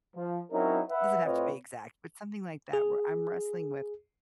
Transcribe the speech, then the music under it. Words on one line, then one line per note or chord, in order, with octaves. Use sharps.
doesn't have to be exact, but something like that where I'm wrestling with
F3
F#3 C4 C#4 D#4 E4 A#4
B4 E5 F#5
A2 C4 F4 B4 C#5 D#5
G#4